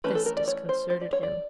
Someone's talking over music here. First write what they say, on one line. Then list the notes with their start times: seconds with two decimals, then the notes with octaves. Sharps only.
This disconcerted him.
0.04 E3 A3 C#4 B4
0.15 A4
0.26 A#4
0.37 D5
0.48 C#5
0.69 C5
0.90 C5
1.01 D5
1.13 C#5
1.23 D5